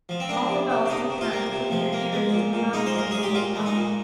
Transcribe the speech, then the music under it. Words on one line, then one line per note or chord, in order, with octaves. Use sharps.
All the dolls took turns putting their ears to the mouth of the beautiful shell.
F3
C4
A#3 D4
C3
C3
D4
C3 D#4
C3
F4
A#3
C3
F3
A#3
G#3
A#2
A#2
G#3 D#4
C5
A#2 A#4
G#3 G#4
G4
A#2 F4
G#3
D#4
A#2